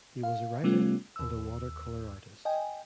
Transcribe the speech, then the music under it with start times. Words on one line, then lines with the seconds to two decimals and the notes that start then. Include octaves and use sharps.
He was a writer and a water colour artist.
0.23 F5
0.63 C3 G3 A3 B3 C#4 F4
1.16 D#2 E6
2.45 D#5 G5 G#5